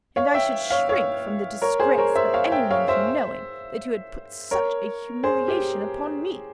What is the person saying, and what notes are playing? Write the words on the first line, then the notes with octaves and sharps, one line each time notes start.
And I should shrink from the disgrace of anyone's knowing that you had put such a humiliation upon me.
C#5 F5
E5 G5
C#5 F5
C#5 F5
A#4 C#5
G#4 C5
A#4 C#5
C5 E5
C#5 F5
E5 G5
C#5 F5
C5 E5
A#4 C#5
G#4 C5
G4